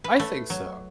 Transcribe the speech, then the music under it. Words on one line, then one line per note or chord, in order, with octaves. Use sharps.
I think so.
B4
A3
F#3